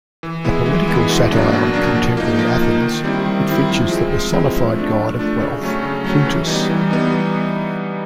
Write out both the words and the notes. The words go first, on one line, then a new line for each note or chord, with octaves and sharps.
A political satire on contemporary Athens, it features the personified god of wealth Plutus.
E3
G#3 B3 E4
E3
G#3 B3 E4
B2
F#3 A#3 D4
B2
F#3 A#3 D4
F3
A#3 D#4
F3
A#3 D#4
D#3
G3 C4 E4
D#3
G3 C4 E4
F3
G#3 C4 E4
F3
G#3 C4 E4
F3
A3 D4
F3
A3 D4
C#3
F#3 A3 C#4
C#3
F#3 A3 C#4
E3
G3 B3 D#4
E3
G3 B3 D#4